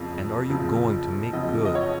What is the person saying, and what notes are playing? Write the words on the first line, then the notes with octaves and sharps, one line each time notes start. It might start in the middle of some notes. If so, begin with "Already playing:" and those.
And are you going to make good?
Already playing: F#1 F2 C#3 F3
F#1 F2 C#3 F3
F#1 F2 C#3 F3 D#5
D#5
C#5